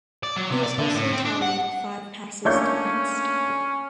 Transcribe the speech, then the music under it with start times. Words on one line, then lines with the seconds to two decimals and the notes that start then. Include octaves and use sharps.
He also tallied five passes defensed.
0.23 D5
0.36 F#3
0.50 C3
0.63 D5
0.78 D3
0.95 A2
1.12 C4
1.25 D4
1.42 F#5
2.45 A3 A#3 C#4 D4 C#5 C#6 G6